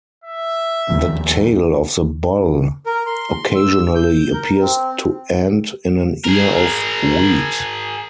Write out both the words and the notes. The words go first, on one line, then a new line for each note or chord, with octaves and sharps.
The tail of the bull occasionally appears to end in an ear of wheat.
E5
D#2 D#3 F3
A#4
C6
E6
G6
A#4
C4
G#4 A#4